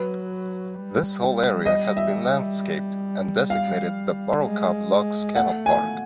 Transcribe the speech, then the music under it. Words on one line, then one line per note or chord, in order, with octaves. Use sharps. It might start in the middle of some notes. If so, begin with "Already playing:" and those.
This whole area has been landscaped, and designated the Borrowcop Locks Canal Park.
Already playing: F#3 B4
G3
D#5
E5
F5
G#3
A3 F#5
G#5